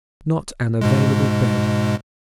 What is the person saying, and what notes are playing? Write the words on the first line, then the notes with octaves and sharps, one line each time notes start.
Not an available bed.
G#2 B2 G#3